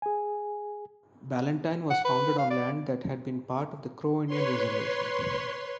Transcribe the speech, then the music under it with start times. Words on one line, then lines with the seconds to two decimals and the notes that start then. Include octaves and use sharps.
Ballantine was founded on land that had been part of the Crow Indian Reservation.
0.02 G#4 G#5
1.90 F#5
2.05 B4
2.38 F5
2.50 D5
4.27 B4 C#5 C6